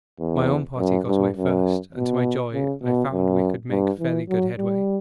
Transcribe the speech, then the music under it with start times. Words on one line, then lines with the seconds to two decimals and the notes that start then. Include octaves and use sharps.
My own party got away first, and, to my joy, I found we could make fairly good headway.
0.20 E2
0.78 F#2
1.07 G2
1.37 F#2
1.95 B2
2.53 C#3
2.82 B2
3.12 F#2
3.70 G2
3.99 E3
4.29 F#3
4.58 G3